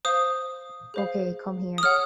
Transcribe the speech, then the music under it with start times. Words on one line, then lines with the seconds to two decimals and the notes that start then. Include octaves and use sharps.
Okay, come here.
0.05 C5 F5 D#6
0.94 G#4 C5 F5
1.78 D#6
1.83 G#4 C#5 F#5 F6